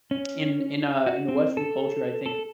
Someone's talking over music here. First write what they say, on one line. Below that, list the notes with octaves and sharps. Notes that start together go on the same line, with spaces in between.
In in a in the Western culture, I think,
C#4
F#4
C4
A4
A4